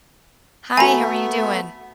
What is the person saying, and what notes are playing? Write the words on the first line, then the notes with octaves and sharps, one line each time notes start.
Hi, how are you doing?
A3 B3 F#4 E5 G#5 A#5 B5